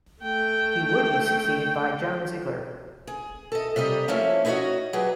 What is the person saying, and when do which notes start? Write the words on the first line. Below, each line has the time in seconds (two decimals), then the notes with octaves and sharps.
He would be succeeded by John Ziegler.
0.22 A3 G5
3.07 G#4
3.52 A4 D#5
3.76 C3 G3 G4 D#5
4.08 F3 A3 A#3 C4 C#4 E4
4.45 D#4 E4 F#4 A4 C#5 D#5
4.93 F#3 G4 G#4 B4